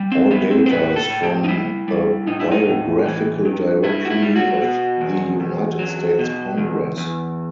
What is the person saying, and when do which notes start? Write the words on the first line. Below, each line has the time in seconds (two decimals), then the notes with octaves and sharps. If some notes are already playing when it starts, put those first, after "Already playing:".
All data is from the "Biographical Directory of the United States Congress".
Already playing: G3
0.12 C4
0.31 G3 B3
0.51 C4
0.66 C5
0.70 A2 B4
0.96 A4
1.09 A2
1.23 G4
1.44 D#4
1.48 G3 E4
1.88 G3
2.27 A2 D#4
2.40 E4
2.52 D#4
2.66 A2
3.06 E3
3.45 G2
3.83 G2 E4
4.05 F#4
4.10 E4
4.22 G3
4.36 F#4
4.62 B2
5.01 E2
5.40 E2
5.79 F#3
6.19 B2
6.57 E2
6.97 E2